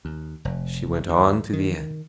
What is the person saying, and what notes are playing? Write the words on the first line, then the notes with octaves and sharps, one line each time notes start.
She went on to the end.
D#2
F1
D#2
D#3